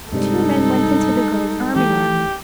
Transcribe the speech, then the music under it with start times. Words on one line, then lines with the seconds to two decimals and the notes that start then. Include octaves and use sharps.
The two men went into the grove arm-in-arm.
0.13 G2 C3 G3 G#3 D#4 A4
1.76 E3 A3 G4